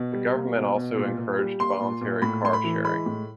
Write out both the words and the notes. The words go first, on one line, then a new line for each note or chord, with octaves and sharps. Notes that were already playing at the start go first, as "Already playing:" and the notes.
The government also encouraged voluntary car sharing.
Already playing: B2
G3
A#3
B2
B2
A#2
A#2
G3
A#3 C6
A#2
A#2
A2 B5
A2 C6
B5
E3
G#3 B5
A2